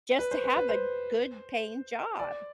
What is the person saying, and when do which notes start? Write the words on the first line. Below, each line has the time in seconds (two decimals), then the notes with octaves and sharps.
just to have a good paying job.
0.19 B4
0.31 C5
0.44 B4
0.57 B4
0.69 C5
2.19 D5